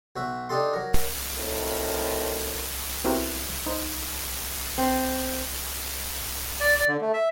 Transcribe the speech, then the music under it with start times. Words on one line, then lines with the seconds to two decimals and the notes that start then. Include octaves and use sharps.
When the board becomes full, the round is finished.
0.16 B1 F#4 E5
0.49 D4 D#4 G4 A4 C6
0.73 F#3 A#4
1.35 B1 A2 C4 A#4
3.04 B3 C4 E4 F#4 G4 A#4
3.66 D#4 C5
4.78 C4
6.60 D5
6.76 D5
6.88 D3
7.01 A3
7.13 E5